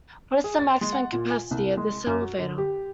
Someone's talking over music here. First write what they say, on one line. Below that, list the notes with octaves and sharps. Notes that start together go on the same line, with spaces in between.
What is the maximum capacity of this elevator?
G#4
A6
G#3
F#5
A#2
G#5
C2
G#3
F#2
F#4
D3
G4